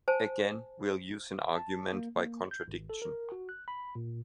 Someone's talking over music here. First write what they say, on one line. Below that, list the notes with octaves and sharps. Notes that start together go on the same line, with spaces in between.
Again, we'll use an argument by contradiction.
C5 G#5 A5
A5
A#3
A#3
G6
G#1
A4
A#4
F#4
F#6
B5
A#2